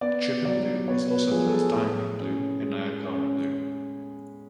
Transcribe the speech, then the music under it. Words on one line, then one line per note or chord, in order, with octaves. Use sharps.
Trypan blue is also known as diamine blue and Niagara blue.
B3 D5
F#3 D5
B3 C#5
B4
F3 G#4
A4
G#4
A2
C#4
G#3
C#4